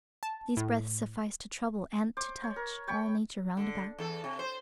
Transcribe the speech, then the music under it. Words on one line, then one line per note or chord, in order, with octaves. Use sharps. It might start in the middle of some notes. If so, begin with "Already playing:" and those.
These breaths sufficed to trouble and to touch all nature round about.
A5
A2
C5 D6
C#5
A#4
C#5 G5 B5 C#6
D3
E2 A4
C3
C5